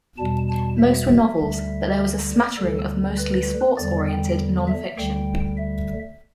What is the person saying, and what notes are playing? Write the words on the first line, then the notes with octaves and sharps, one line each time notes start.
Most were novels, but there was a smattering of mostly sports-oriented nonfiction.
E2 B2 G3 A5
A5
E5
D2 D3 G3
D2 D3 G3 A4
B4
E2 D3 G3 D5
G5
E5
D2 D3 G3 G5
E5